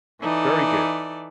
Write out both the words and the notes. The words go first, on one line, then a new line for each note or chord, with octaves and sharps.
very good.
E3 D#4 A4 D5